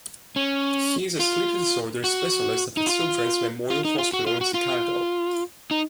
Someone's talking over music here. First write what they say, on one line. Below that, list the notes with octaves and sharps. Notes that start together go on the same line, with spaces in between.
He is a sleep disorders specialist at the Children's Memorial Hospital in Chicago.
C#4
F4
F#4
D#4
F4
F4
D#4
F4
F#4
F4
F#4
F4
D#4